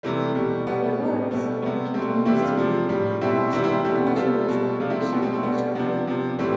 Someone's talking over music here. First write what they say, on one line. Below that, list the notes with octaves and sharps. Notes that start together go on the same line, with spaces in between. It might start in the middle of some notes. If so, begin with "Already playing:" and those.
It was, and continues to be, perhaps the most controversial provision of the Charter.
C3 E3 G3 A3
B2 G3
B2 G3 B3
A2 G3
B2 G3 A3
C3 G3 B3
B2 G3 A3 C4
C3 E3 G3 C4 E4
D4 F4
C3 F3
A2 G3
B2 G3 C4 E4
C3 E3 G3 C4 E4
C4 E4
B2 G3 A3 C4
B3
B3
C3 G3 F4 A4
B2 G3
C3 F3 D4 F4
C4 E4
A3 C4
B2 G3 B3
A3 C4
A3 C4
B2 G3 B3 D4
C3 F3 B3 D4
C3 F3
A2 E3 G3 A3 C4